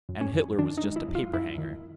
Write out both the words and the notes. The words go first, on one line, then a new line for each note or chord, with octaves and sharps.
"And Hitler was just a paper-hanger."
F#2
C#4
F#2
D#3 D4
D#4
G#3
E4
F#2
F4
F#2 E4
D#3